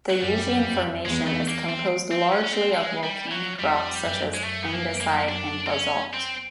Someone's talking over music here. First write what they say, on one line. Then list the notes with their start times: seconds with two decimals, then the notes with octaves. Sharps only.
The Yixian Formation is composed largely of volcanic rocks such as andesite and basalt.
0.10 F#3
0.21 F#2 G3
0.63 F2
1.05 E2 G#3
1.27 A3
1.48 A#3
1.69 C4
2.12 C4
2.33 C#4
2.44 C#4
2.54 C4
2.75 G#3
3.03 G3
3.31 F#3
3.60 F2 G3
4.02 F#2
4.34 G#3
4.44 F#2 A3
4.62 B3
4.72 A#3
5.01 A#3
5.29 D4
5.67 C4
5.71 C#4
6.14 C4